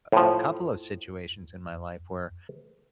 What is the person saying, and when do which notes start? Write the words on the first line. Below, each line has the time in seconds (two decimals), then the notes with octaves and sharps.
a a couple of situations in my life where
0.12 A2 F3